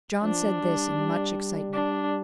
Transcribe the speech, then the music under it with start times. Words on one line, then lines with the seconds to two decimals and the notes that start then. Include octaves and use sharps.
John said this in much excitement.
0.22 F3 D4
0.61 G3
0.98 G3
1.73 D4